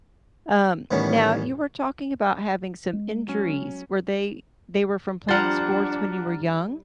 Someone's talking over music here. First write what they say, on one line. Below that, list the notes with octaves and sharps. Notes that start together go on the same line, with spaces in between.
Um, now, you were talking about having some injuries. Were they they were from playing sports when you were young?
A2 D#3 E3 G3 B3 C#4
G#3
F#3 C#4
F3 G3 D4 C5 F#5 A#5 F6 A6